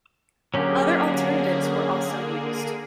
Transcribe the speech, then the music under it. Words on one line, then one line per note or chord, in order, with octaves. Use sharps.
Other alternatives were also used.
D3 F#3 A#3 C#4 G4 G#4